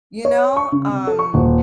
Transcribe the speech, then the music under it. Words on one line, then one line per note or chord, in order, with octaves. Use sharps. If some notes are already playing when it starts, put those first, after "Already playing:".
you know? Um,
C#5
C#6
C#3
C3
A4
C#6
D#1